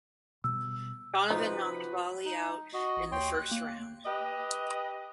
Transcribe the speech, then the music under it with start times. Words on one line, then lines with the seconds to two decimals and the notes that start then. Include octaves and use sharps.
Donovan knocked Balli out in the first round.
0.44 B2 G3 E6
1.30 C3 F3 D#4 F#4 B4
2.25 D#4
2.73 F#4 D#5
2.97 A1
3.12 D#2 C#5 G5 C6
3.34 F#6
3.51 A#3
4.06 G4 B4 D#5